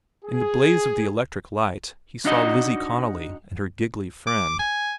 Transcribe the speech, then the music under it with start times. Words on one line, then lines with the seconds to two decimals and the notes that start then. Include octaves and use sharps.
In the blaze of the electric lights, he saw Lizzie Connolly and her giggly friend.
0.25 G#4
2.25 D4 D#4 F#4 D#5
4.27 D6
4.59 G#5